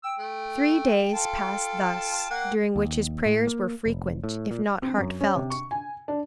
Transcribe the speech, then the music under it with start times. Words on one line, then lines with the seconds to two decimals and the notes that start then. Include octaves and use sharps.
Three days passed thus, during which his prayers were frequent, if not heartfelt.
0.04 G5 E6
0.19 A3
1.14 F4 A4 A5
2.30 A#3 F#5
2.76 D#2
3.26 A2
3.47 A#3
3.86 F1
4.24 A2
4.51 A#2
4.82 C4
4.98 F#2
5.21 C#4
5.35 C3
5.50 C#6
5.71 G#5
6.08 D4